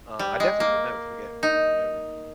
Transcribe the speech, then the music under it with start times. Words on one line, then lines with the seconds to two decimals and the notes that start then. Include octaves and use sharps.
uh, I definitely will never forget her, ever,
0.19 G3
0.40 G#3
0.60 A#3
1.43 D#4